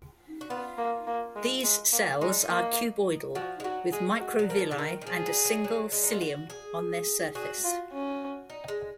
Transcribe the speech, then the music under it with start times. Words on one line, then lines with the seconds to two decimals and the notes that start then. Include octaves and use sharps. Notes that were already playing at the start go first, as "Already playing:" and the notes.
These cells are cuboidal, with microvilli and a single cilium on their surface.
0.41 F#4
0.50 B3 F4
0.78 A#3
1.07 A#3
1.36 G#3
1.64 G#3
1.93 A#3
2.21 G#3 D#4
2.50 A#3
3.35 F3 F#4
3.60 G#3
3.64 F#3 F#4
3.92 G#3 G#4
4.21 F#4
4.39 F#3
4.49 F3 A#4
4.71 C#3
4.78 D#3 A#4
5.01 D#3
5.07 F3 G#4
5.26 F#3
5.45 F#3
5.64 F#3
5.92 G#3
6.04 D#4
6.13 F4
6.21 F#4
6.50 G#4
7.35 F#4 G#4
7.64 F4
7.93 C#4
8.50 D#4
8.68 G#3